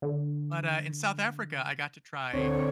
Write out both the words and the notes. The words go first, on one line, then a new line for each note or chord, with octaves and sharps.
But, uh, in South Africa, I got to try
D3
D2 D3 C4 D4 C#5